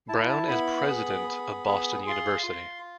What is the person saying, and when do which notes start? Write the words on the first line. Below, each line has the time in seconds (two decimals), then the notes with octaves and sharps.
Brown as president of Boston University.
0.09 E4 A5
0.29 A5
0.48 B3 B5
0.89 G#4
1.28 B3
1.68 G#4
2.07 F4 C6
2.47 F4